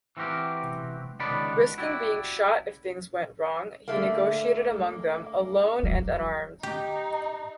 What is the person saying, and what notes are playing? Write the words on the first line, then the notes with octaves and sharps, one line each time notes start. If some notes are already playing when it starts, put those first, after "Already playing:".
Risking being shot if things went wrong, he negotiated among them, alone and unarmed.
E3 C4 F#4 G4 A#4
C#2 D#3 B3 D4 D5 B5
E4 F#4 G4 D5
D3 A3 A#3
F#3
D#4 G4